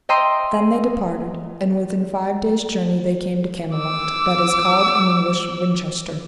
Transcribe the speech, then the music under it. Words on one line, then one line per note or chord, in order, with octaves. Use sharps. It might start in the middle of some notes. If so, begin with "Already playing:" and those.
THEN they departed, and within five days' journey they came to Camelot, that is called in English, Winchester.
D#5 E5 G5 A#5 C6 D#6
D6 E6